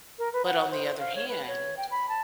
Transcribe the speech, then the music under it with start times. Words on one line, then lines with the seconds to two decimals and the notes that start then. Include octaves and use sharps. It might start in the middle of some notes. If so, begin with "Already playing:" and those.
But on the other hand,
0.19 A#4
0.33 B4
0.46 F#5
0.71 C5
0.99 F5
1.15 C#5
1.28 B4
1.47 C#5
1.77 G5
1.91 B5
2.09 A5